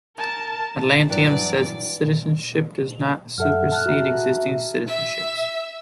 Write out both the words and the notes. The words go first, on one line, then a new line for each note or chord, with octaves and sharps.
Atlantium says its citizenship does not supersede existing citizenships.
A#4 A5
G2 E3 F#3 D5
F#2 A4 E5 F#5 F6
A5 F6 F#6
F#4 G#4 E5 A#5
E5